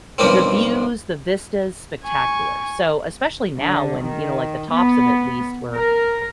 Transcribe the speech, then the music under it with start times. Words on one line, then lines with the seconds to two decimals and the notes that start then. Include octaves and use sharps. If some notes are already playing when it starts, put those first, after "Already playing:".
the views, the vista's spectacular. So especially now when, you know, like the tops of at least were
0.18 B1 G2 F3 A#3 C4
2.04 G#5 C#6
3.59 D3
4.01 D#3
4.72 B3
5.74 A#4